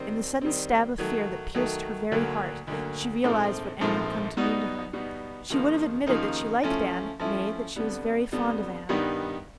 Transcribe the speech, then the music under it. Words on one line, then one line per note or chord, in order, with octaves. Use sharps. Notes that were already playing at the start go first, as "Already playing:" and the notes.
In the sudden stab of fear that pierced her very heart she realized what Anne had come to mean to her. She would have admitted that she liked Anne--nay, that she was very fond of Anne.
Already playing: D#3 G3 C4
D#3 G3 C4
D#3 F#3 A3
D#3 F#3 A3
D2 D3 F#3 A#3
D2 D3 F#3 A#3
A#1 G#2 F3 A3 C4
A#1 G#2 F3 A3 C4
B2 G3 B3 D#4
B2 G3 B3 D#4
D#2 C#3 F3 A#3 D#4
D#2 C#3 F3 A#3 D#4
F3 A3 C#4 E4
F3 A3 C#4 E4
F2 D3 G3 B3
F2 D3 G3 B3
G2 D#3 G3 B3 D#4